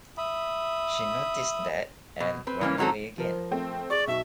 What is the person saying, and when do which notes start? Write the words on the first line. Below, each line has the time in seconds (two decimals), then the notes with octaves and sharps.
She noticed that and run away again.
0.18 E5 B5 D#6
2.20 B2
2.47 C4 B4
2.61 E3 A#3 C#4
2.78 D#3 E3 F#3 C4 A4
3.18 F3 A#4 C5
3.51 A3 C4
3.90 G#4 D5 C#6
4.08 B1 E5